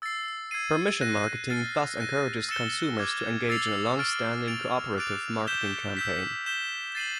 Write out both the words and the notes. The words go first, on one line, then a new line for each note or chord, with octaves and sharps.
Permission marketing thus encourages consumers to engage in a long-standing, cooperative marketing campaign.
E6 A6 C7
E6 G#6 C7 D#7
F#6 A#6 D#7
F6 A6 C7
F#6 A#6 D#7
E6 A6 C#7 E7 G7
D6 F6 G#6
E6 A6 C7 F7
C#6 F6 A6 D7
A6 D7 F7
D6 F#6 A6 D7 F7
G6 B6 E7 G7
E6 G6 B6
G6 B6 E7 G7
A6 C7 D#7 F#7